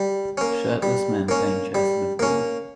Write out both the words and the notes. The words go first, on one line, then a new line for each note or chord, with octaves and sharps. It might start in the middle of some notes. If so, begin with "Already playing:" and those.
Shirtless men playing chess in a pool.
Already playing: G3
A#3 C#4
G3
A#3 C#4
G3
A#3 C#4